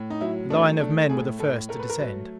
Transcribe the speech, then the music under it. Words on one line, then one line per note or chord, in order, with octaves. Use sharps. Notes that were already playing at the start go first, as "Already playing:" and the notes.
The line of men were first to descend.
Already playing: A2
D#4
F#3 E4
A3 D4
A3 D4
A2 G#4
A2 A4
A3 A#4
B4
A#4
F#3 B4